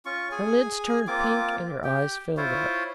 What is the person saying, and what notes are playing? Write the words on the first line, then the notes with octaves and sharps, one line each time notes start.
Her lids turned pink and her eyes filled up.
C#4 F4 C#6
G#4 G#5
A#3 C4 F4 D6
G4 G5
E4 F4 C5 C#5